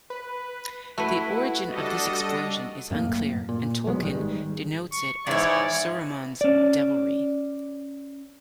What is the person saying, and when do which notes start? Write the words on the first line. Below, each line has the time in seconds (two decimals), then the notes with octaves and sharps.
The origin of this explosion is unclear and Tolkien denotes it as "Saruman's devilry".
0.10 B4
0.98 A3 E4 F#4 B4
1.71 G3 D4 A4 D#5
2.91 F#2 A2 A#3
3.49 A#2
3.86 A#1 F#3 G#3 B3
4.01 G#1 D#3 G3 G#3
4.92 C#6
5.27 G#2 D#3 E3 E4 C#5 D5
6.41 C#4 D5